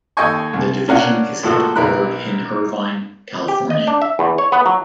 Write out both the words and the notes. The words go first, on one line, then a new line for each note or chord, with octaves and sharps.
The division is headquartered in Irvine, California.
D#2 A4 D#5 G5 G#5 C#6
C2
C#4 D4 A#4 F5 F#5
A2 F3 G#3 A#3 F#4 A4
B1 B3 E4 A#4 B5 F#6
G4
D#5
D4
E5
E2
C#5
B3
F#3